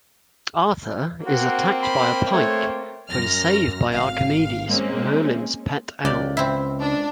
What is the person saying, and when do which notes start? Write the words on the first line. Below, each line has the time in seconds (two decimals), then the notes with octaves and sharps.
Arthur is attacked by a pike but is saved by Archimedes, Merlin's pet owl.
1.25 A#3 C4 F#4
1.82 B5 C6
2.32 A3 C#5
3.09 F#2 F6 A#6
3.88 G#1 F5
4.68 G#3 A#3 C4 C#4
6.05 C#2 D5
6.37 C4 E4
6.78 D4